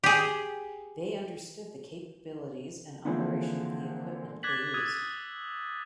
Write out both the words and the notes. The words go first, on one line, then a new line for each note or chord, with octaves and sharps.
They understood the capabilities and operation of the equipment they used.
G4 G#4
D3 E3 F3 G#3 A#3 C4
D6 F#6 G#6 A6 B6 F#7
D#6 E6 F#6 G#6 A6 D#7